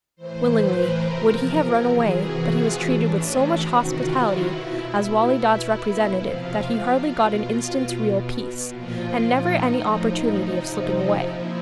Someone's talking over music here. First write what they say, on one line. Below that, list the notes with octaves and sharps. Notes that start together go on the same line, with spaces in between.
Willingly would he have run away; but he was treated with so much hospitality as Wali Dad's representative, that he hardly got an instant's real peace, and never any opportunity of slipping away.
A2 E3 C5
B4
A#4
C3 F3
C3 E3 G#4
F#4
F4
A2 E3 D4
C#4
C3 D#3 F#4
F4
E4
B2 E4
B2 E4
C3 F3 F4
B2
B2
A#2 F3 F4
D#4
A2 F3
C3 F3
A#2 F3 E4